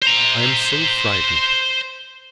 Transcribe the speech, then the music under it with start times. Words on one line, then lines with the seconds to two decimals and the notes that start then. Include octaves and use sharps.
I am so frightened.
0.02 C5 A#5